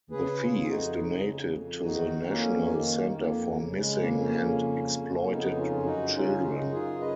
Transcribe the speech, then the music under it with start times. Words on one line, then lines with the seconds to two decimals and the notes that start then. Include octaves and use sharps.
The fee is donated to the National Center for Missing and Exploited Children.
0.11 C#3 G#4 B4
0.39 F4 G#4
0.55 F2
0.68 D#4 F#4
0.97 C#3
1.40 F2
1.83 D#3 D#4 F#4
2.26 F2 A#3 C#4
2.69 D#3 A#3
3.12 F2 A#3
3.55 C#3
3.77 G#3
3.99 F2 A#3
4.20 A#3 C#4
4.42 C#3
4.85 F2
5.27 C#3 B3 D#4
5.56 C#4 F4
5.71 F#2 F4
5.85 D#4 F#4
6.14 C#3 C#4 F4
6.42 D#4 F#4
6.58 F#2
6.71 F4 G#4
7.00 C#3 B4 D#5